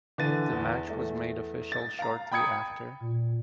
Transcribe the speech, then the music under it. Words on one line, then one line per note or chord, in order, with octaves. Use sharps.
The match was made official shortly after.
D3 E3 A6 D#7
E2
E2 A3
A6
F5 A#5
G5 B5 D#6 G#6 C#7
A#2